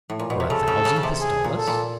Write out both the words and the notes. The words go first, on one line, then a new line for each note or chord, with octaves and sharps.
"For a thousand pistoles?"
A2
A#2
B2
C3
C#3 A4
C#3
C#3
C#3
C3
G#4
A#2
A4
A#2